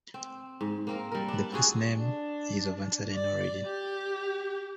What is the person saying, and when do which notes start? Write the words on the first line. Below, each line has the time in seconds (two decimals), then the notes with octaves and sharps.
The placename is of uncertain origin.
0.14 C4
0.61 G#2
0.87 A#3 C4 A#4
1.12 G3 A#4
1.28 D4 B4
1.52 C4 F4 F#4 G#4
1.96 D4
3.12 D5
3.66 G4